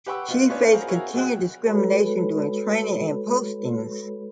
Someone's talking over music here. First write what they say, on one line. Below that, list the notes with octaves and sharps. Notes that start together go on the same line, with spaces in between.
She faced continued discrimination during training and postings.
G4 B4 F#5 G5 C#6 E6
B2 F4 B4
B3 C#4 D4 F4 B4 C#5
F#4 G#4 A#4 C5 F5
E4 F#4 G#4 A#4 C#5 F5
B2 F#3 G#4 F#5 G5 F#6
G#3 F#4 A4 B4 C#5 B5